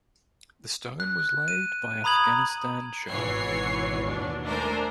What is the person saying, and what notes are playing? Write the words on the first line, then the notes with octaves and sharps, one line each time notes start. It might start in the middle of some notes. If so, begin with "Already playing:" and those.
The stone was laid by Afghanistan Shah.
F#6
D#7
A#5 B5 D#6 G#6 F#7
G#1 B2 E3 C#5 C7
D#2 B2 D4
A3 D4 A#4 C5 G#5